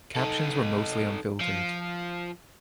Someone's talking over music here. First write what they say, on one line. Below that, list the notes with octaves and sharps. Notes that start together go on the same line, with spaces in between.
Captions were mostly unfiltered.
D#4 A4
F3